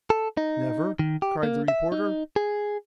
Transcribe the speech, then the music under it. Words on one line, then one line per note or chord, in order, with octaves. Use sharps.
"Never?" cried the reporter.
A4
D#4
D#3
G4
A#3
E5
D#4
G#4